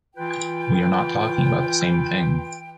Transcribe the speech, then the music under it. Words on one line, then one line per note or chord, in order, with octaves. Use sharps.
We are not talking about the same thing.
E3 F4 B4 G5